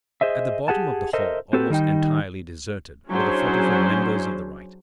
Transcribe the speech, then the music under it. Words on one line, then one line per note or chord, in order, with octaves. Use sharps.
At the bottom of the hall, almost entirely deserted, were the forty-four members of the right.
G#4 C5 D#5 E5
G4 G#4 F#5 A5
A4 A#4 C5 D#5 E5
C4 F#4 G4 A4 B4
D#3 G3 D#4 G5
F#3 C#4 D4 E4 G#4 C5